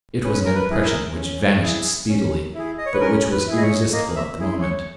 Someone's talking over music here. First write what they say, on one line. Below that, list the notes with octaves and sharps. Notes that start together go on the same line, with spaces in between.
It was an impression which vanished speedily, but which was irresistible at the moment.
C#4 B4
A#4
B4
E4 G#4
A#4
C#4
E4 G#4
C#4
E4 G#4
D#5
C#5
B4
C#4 A#4
B4
E4 G#4
D#5
C#5
A#3 D#5
E5
E4 G#4
C#5